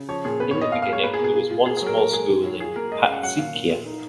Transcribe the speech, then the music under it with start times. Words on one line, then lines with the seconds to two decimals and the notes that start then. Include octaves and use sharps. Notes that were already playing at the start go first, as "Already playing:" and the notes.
In the beginning, there was one small school in Patzicia.
Already playing: C#3
0.08 F3 C#5
0.25 A#2 G#4
0.40 B3 B4
0.51 C#5
0.56 B3
0.61 D#5
0.72 D#2 F5
0.82 F5
0.88 G#3 C#5
1.04 A#3 B4
1.14 G#4
1.19 B2
1.24 G#4
1.35 F4
1.51 F4
1.66 A#3 G#4
1.77 G#4
1.82 F#3 A#4
1.97 A#2 A#4
2.13 G#3 G#4
2.29 D#3
2.44 F#3
2.60 F4 G#4
2.76 A#3 A#4
2.92 G#3 D#5
3.03 F5
3.08 F#2 F#5
3.23 F#3 F#5
3.39 A#2 F5
3.54 A#2
3.70 A#2
3.86 D#4